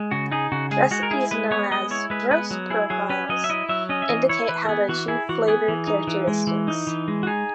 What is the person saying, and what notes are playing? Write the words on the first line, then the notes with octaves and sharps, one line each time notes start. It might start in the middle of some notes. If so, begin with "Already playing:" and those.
Recipes known as "roast profiles" indicate how to achieve flavor characteristics.
Already playing: G#3
C#3 F#4
D#4 G#4
C#3 F#4
G#3 G#4
G#3 F#4
A#4
E4 G#4
G#3 B4
B3 C#5
G#3 D#5
E4 C#5
G#3 B4
B3 B4
F#3
E4 G#4
F#3 G#4
C#4 B4
F#3 D#5
E5
E4 D#5
F#3 E5
C#4 D#5
E5
E3 D#5
E4 C#5
E3 B4
A#4
B3 G#4
E3 F#4
E4 G#4
E3 F#4
B3 G#4
E3
D#4
E3
G#3
E3
D#4
E3
G#3
F#4
D#4 G#4